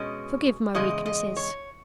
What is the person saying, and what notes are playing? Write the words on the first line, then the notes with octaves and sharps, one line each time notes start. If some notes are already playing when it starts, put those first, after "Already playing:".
Forgive my weaknesses.
Already playing: B2 G#3 C#4 D#5
E2 C#3 G#3 D#5
D#5
C#5